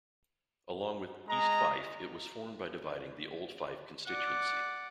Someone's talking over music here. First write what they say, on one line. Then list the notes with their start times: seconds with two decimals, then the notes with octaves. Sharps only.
Along with East Fife, it was formed by dividing the old Fife constituency.
1.28 G#3 D#5 A#5
4.07 D5 F#5